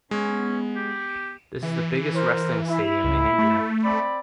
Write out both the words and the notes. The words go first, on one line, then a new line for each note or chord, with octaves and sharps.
This is a biggest Wrestling Stadium in India.
G#3 B3 C#4
G4
E3
A#4 C5
E4
C#2
A3
C4 D5 B5